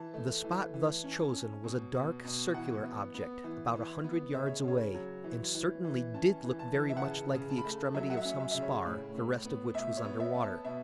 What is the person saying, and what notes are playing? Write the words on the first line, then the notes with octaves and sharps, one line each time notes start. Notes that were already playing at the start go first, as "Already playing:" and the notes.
The spot thus chosen was a dark, circular object, about a hundred yards away, and certainly did look very much like the extremity of some spar, the rest of which was under water.
Already playing: E3 A5
A3
E3
E3
C#4
C#4
B2
B2
B2
E3 F#5
B3
B3
E3
E3
B3
C#3 E5
C#5
C#3 C#5
F#3
E3
E3
E3
C#4 A5
E3
A5
E3
E5
F#5
C#3 A5
C#3
A5
B5
A3 A5
F#3 E5
F#5
E5
C#4
E5
C#3 E5
C#5
A2
A2
B3
B2 E5
C#5
B3
E5
B3
A5
B2 E5